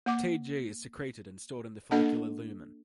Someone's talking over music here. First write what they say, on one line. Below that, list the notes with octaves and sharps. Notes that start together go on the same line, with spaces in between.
Tg is secreted and stored in the follicular lumen.
A#3 F#5 D6
A#3 D4 A4 D#5 F#5 A5